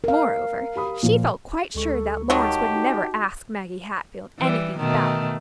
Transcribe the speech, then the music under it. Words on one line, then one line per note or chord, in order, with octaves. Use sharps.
Moreover, she felt quite sure that Lawrence would never ask Maggie Hatfield anything about it.
A#4 F5
G4 B5 D#6
A#2 F3
D2 G#3 A4 C#6
D#3 F#3 G4 A5
D#4 F#4
E3 G3
B2 D#3 A3